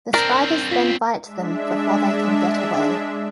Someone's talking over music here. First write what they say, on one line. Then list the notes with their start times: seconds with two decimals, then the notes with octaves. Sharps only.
The spiders then bite them before they can get away.
0.14 C4 D4 A#4
0.71 F4 B6 C7
1.22 G#3 D4 E5